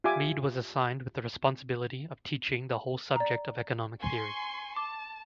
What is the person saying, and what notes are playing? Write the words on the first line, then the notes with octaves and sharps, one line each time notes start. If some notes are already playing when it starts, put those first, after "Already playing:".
Meade was assigned with the responsibility of teaching the whole subject of economic theory.
F4 G4 E5 G#5 D6
D5 A#5
G#5 C6 C#6
A5 D6